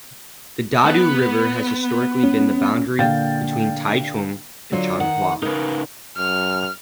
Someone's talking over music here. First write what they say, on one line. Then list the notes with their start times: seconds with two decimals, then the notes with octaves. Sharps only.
The Dadu River has historically been the boundary between Taichung and Changhua.
0.85 B3
2.24 C#4
2.99 A#2 D3 F5 G5 G6 A6
4.72 D3 F#3 F4
5.01 D#3 F#5
5.42 C#3 D#4 A#4 B4
6.17 F#2 F6